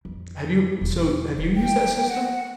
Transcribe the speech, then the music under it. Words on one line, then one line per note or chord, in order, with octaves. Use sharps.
have you so, have you used that system?
F2
E1
A3 G5
F#5